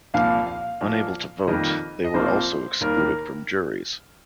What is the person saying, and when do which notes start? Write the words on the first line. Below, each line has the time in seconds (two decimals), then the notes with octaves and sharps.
Unable to vote, they were also excluded from juries.
0.14 C2 A#2 F3 A#3 F5
0.47 F5
0.81 A#2 F3 A#3
1.47 F2 D#3 G3 A#3 D#5
2.04 D#5
2.14 C2 C3 F3 A#3 C5
2.81 D#2 D#3 G3 A#3 A#4